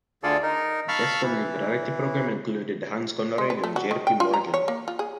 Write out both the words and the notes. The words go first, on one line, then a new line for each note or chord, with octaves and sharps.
Guests on the variety program included Hans Conried and Jaye P. Morgan.
D2 D3 F4 G#4 A4 D5
D#4 A#4
F5 A5 B5 C#6 E6 F6
E3
G#3
B4
A3
F#4
D#3
G5
F4
A#5
C#5
A#3
F4
G#4